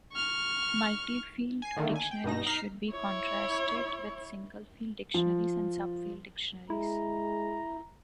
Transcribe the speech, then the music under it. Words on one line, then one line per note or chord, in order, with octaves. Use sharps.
Multi-field dictionaries should be contrasted with single-field dictionaries and sub-field dictionaries.
C#6 F6
G#5 C7
D3 D#3 A3 A#3
G#5
G5
G2 B2 D#4 A#6
D#4 A#5 F6 B6 C7
E4 C#5
F3
G#3 E4 A#5